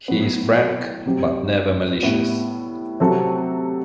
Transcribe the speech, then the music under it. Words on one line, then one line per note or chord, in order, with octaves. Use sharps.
He is frank but never malicious.
A2 F#3 B3
C3 F#3 C4 G4
A2 G3 B3 E4
C3 F#3 C4 F#4 A4